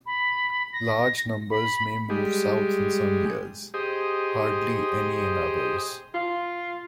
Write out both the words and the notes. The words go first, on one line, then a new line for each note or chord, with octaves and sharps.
Large numbers may move south in some years; hardly any in others.
B5
A#6
B5
G3 G#3
G4 G#4 C5 D#5
F4